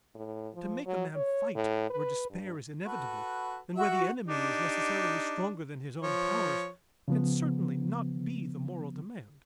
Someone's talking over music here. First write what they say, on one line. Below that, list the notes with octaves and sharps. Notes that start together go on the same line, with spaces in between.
To make a man fight where despair is inevitable, and where the enemy is necessarily stronger than his own powers, can certainly not be the moral demand.
A2
F3
F#3
C#5
A2
B4
G2
F#4 A4 B4
F#4 E5
D4 D#4 G4
F3 C#5
C#3 F3 B3